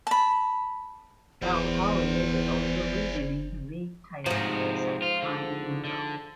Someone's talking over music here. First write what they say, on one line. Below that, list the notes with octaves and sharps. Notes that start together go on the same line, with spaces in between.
Al-Ahly is also re-winning the league title for the second time in a row.
A5 B5
F#1 E2 G#4 C5 D5
G#2 C3 F3 F#4
F4
D3
D3